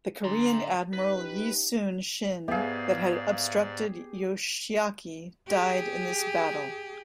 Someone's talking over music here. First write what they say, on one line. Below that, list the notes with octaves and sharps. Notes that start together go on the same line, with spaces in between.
The Korean admiral Yi Soon Shin that had obstructed Yoshiaki died in this battle.
D3 A#5 C6
C#4 D#4 G4 B4
G#2 B3 G4 G#4 D5 E5 F5
G4 G#4